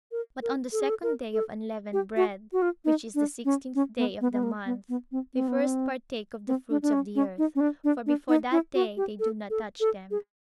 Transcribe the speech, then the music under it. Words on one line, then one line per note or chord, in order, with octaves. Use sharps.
But on the second day of unleavened bread, which is the sixteenth day of the month, they first partake of the fruits of the earth, for before that day they do not touch them.
A#4
A#4
A4
G#4
A4
A#4
A4
G4
F#4
F#4
F4
D#4
D4
C#4
C#4
B3
B3
B3
A#3
B3
B3
C4
C4
B3
C4
C4
D4
D4
C#4
C#4
D#4
C#4
D4
D4
D4
D#4
E4
F#4
G4
A4
A4
A4
G#4